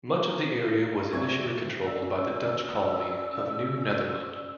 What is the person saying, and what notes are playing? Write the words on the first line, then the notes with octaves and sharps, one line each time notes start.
Much of the area was initially controlled by the Dutch colony of New Netherland.
D#4
C4 D5 E5 C#6 E6 G#6
C#4 D5 E6